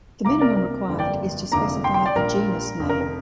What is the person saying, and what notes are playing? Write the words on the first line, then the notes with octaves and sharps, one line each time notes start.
The minimum requirement is to specify a genus name.
C2 C3 A#3 A#5 D6
A#4 D5
A#4
G1 F2 D3 G3 A#3
D5 G5
F1 F2 D3 A#3 A#5 D6
G5 C6
G5 C6
D5 G5
A#1 A#2 G3 A#4
F1 F2 F3
A#4
A#4